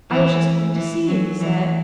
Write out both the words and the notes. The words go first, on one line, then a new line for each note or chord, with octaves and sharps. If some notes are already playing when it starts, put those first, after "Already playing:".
"I was just coming to see you," he said.
E3
E3
F#3
E3